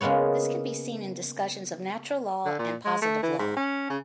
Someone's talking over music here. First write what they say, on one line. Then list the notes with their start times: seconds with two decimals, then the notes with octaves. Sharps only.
This can be seen in discussions of natural law and positive law.
0.01 C#3 G#3 A#3 B3 C#5
2.46 D3
2.59 A#2
2.85 G#3
3.02 A3
3.23 E3
3.39 G#2
3.57 C#4
3.90 C#3